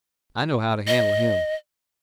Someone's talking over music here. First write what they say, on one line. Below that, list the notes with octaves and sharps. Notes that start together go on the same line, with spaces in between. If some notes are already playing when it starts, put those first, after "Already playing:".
I know how to handle him.
D#5